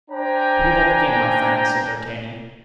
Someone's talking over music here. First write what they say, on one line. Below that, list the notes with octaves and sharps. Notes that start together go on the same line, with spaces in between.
"Put it up again, my friend," said D'Artagnan.
D4 C5 G5 G#5 A#5